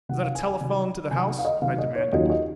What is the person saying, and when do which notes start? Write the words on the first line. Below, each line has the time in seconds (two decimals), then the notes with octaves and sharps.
"Is that a telephone to the house?" I demanded.
0.09 C3 D#3 F#3 F#5
0.22 F5
0.35 G#5
0.47 G#5
0.60 C3 D#3 F#3
1.11 C3 D#3 F#3 G#5
1.28 F#5
1.39 F5
1.45 D#5
1.61 C3 D#3 F#3 F5
1.78 D#5
1.96 C#5
2.12 D#2 D#3 F#3 C#4 F4 D#5
2.30 D#5